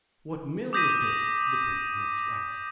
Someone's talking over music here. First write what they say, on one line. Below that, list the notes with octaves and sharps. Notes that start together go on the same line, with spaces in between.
"What mill is this?" the prince next asked.
D6 D#6 G6 A#6 B6 D#7